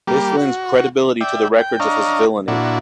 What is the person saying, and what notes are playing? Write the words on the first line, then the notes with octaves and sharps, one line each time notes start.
This lends credibility to the records of his villainy.
G3 A#3 G4
F#4
D5 E5 G5
G5
D4 C#5 D#5 F5 A#5
A#2 D4 E4 F#4